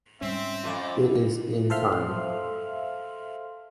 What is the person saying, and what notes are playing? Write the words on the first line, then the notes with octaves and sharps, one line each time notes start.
It is in time.
G#2 G3 C4 C#4 E5
F2 A3 F4
A4 C5 E5 F5 C6 F6